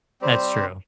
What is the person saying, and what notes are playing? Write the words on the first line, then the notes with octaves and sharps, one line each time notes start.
That's true,
G3 C4 G4 C5